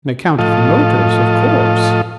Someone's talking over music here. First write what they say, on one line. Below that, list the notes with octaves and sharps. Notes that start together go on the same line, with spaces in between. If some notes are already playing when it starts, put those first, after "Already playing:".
"On account of the motors, of course."
A2 F3 F4 A4 D#5